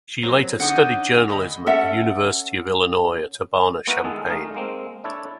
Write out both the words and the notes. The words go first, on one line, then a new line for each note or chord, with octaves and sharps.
She later studied journalism at the University of Illinois at Urbana–Champaign.
F#3 A#3 C4
D3 C#4 D#4 F#5 G5 D#6
D2 D#5 B5
C#4 A4 E5 F#5
A#3 B3 E4 F#4 A#4 B4
D#3 G#3 G#4 A4
A3 D#4 A#4 D#5 F5
G#3 A#3 C4
D4 E4 A4 C#5